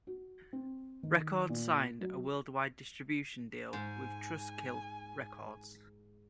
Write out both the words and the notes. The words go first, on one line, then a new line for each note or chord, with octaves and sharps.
Records signed a worldwide distribution deal with Trustkill Records.
F#4
C4
D#3
A#2
F#3
G#2 G#5